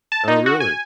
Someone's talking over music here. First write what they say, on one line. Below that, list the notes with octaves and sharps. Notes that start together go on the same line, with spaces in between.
Oh, really?
A5
D#4
F#4
G#5